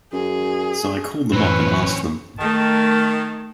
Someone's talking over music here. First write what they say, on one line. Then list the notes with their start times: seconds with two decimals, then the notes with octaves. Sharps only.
So I called them up and asked them.
0.13 F#2 G#4
1.33 F#2 A2 E3 C4 C#4 B4
2.39 D#3 A3 A5